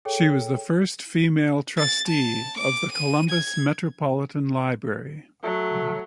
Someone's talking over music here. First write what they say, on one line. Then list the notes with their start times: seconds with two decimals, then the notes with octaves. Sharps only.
She was the first female trustee of the Columbus Metropolitan Library.
0.05 G#4 A4 C#5 G5
1.78 A6
2.08 A5
2.58 D6
2.93 D#7
3.30 G#6
5.43 F#3 A3